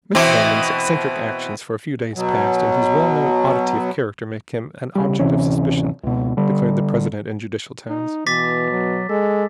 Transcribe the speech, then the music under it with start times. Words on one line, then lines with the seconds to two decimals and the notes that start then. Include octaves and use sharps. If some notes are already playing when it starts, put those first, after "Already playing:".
"Mr. Damon's eccentric actions for a few days past, and his well-known oddity of character make him an object of suspicion," declared the president in judicial tones.
0.15 B2 E3 C4
2.14 B2 F#3
4.95 C#3 G3
5.19 D1 C3 E3 C#4
6.03 C#2 B2
6.37 D3 G3
7.89 D#4
8.27 B2 E3 D6 A6 B6
8.71 F#3
9.10 G#3 A4